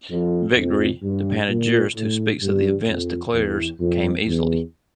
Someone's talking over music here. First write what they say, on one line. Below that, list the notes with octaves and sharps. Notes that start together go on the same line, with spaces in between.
Victory, the panegyrist who speaks of the events declares, came easily.
F2
F2
G2
A#2
A2
G2
F2
E2
F2
E2